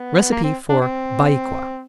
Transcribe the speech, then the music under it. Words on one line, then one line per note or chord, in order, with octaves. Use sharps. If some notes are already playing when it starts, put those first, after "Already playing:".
Recipe for Baikwa.
Already playing: B3
A#3
C4
D4
C4